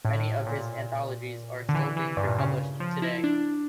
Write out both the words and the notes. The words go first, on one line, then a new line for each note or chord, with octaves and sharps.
Many of his anthologies are still being republished today.
A2
A#2
D3
E3
E3
G2
A#2
C#3
F3
E4
D4